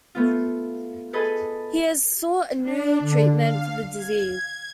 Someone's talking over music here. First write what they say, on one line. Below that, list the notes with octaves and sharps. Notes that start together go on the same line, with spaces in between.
He has sought a new treatment for the disease.
A3 B3 F4
G#4 A4 B4 D#5
D4
D3
F5
G#6